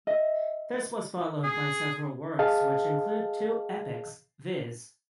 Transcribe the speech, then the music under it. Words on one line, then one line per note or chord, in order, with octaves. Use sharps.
This was followed by several works which include two epics viz.
D#5 E5
G#4
G#4 D#5 F5 A5